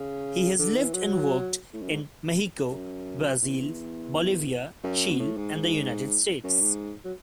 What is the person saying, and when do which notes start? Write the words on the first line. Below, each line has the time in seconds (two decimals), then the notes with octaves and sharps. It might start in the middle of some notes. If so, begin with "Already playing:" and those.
He has lived and worked in Mexico, Brazil, Bolivia, Chile and the United States.
Already playing: C#3
0.59 D3
0.76 E3
0.93 F#3
1.73 A2
1.82 F#2
1.91 G#2
2.71 F#2
3.42 E2
4.84 F#2
5.11 B2
5.19 A2
5.37 G#2
5.54 G#2
6.44 F#2
6.61 G#2
7.05 F#3